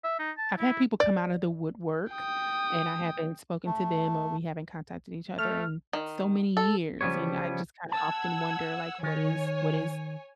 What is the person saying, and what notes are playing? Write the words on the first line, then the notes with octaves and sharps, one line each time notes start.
I've had people come out of the woodwork, and I haven't spoken to them or we haven't contacted each other in so many years, and I just kinda often wonder, like, what is what is
E5
D#4
A5
E4
D5
G5 D#6
A3
A3 F6
D#3
A4
C#3 F3 G3 B3 C#5
F#5 A5 E6 G#6
D#3 C#5 G#5